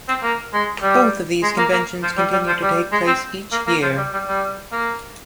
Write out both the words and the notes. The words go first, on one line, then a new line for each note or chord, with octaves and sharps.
Both of these conventions continue to take place each year.
C4
A#3
G#3
G3
G#3
A#3
A#3
F3
G3
G3
F3
G3
G#3
C4
A#3
A#3
F3
G3
G3
G3
A#3